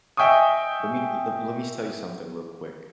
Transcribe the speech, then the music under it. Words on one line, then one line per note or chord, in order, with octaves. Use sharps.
Let me le let me s tell you something real quick,
D#5 E5 G5 G#5 C#6 D#6